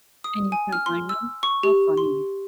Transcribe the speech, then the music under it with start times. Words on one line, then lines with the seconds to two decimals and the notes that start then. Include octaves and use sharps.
And you couldn't find ‘em? How funny.
0.24 D#6
0.52 G#5
0.73 F6
0.86 C6
1.09 E6
1.43 C#6
1.63 G4
1.98 C6